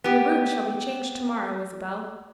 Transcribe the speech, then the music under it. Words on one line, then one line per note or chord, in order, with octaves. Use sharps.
"Your rooms shall be changed to-morrow, Isabel."
B3 G4